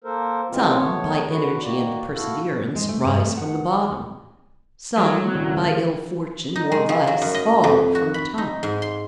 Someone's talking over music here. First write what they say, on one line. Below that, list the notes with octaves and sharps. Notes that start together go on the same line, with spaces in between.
Some, by energy and perseverance, rise from the bottom; some, by ill fortune or vice, fall from the top.
A#3 A4 A#4 C5
A2 C3 E3 G#3 C4 F4
A3 B3 C#5
D3 F#4 B4
D#3 A#3 F#4 D5
E4 F#4 A4 F5
G#3
A3
G2
A3
F#5
F#3 G3 A4
C#2 A#2 D#3 D4 E4
D#4
G#3
F3
F#3
F#2
D#5
F2
F#4
B5
D#4
G#2
C6